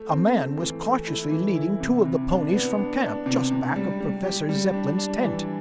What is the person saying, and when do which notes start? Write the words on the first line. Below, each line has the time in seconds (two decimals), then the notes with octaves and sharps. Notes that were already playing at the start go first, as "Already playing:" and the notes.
A man was cautiously leading two of the ponies from camp, just back of Professor Zepplin's tent.
Already playing: A3
0.09 C4
0.33 A3
0.58 E3
0.82 A3
1.07 E4
1.30 E3
1.55 E4
1.80 C3
2.05 C3
2.28 D4
2.52 B3
2.77 D4
3.02 D4
3.26 C3
3.51 C3
3.76 G3
4.00 G3
4.24 G4
4.49 G3
4.73 D4
4.98 D4
5.23 E3